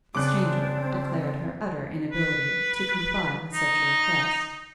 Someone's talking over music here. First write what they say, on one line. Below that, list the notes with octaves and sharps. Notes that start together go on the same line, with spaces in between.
The stranger declared her utter inability to comply with such a request.
C#3 C4 D4 D6 F#6
B4
D#4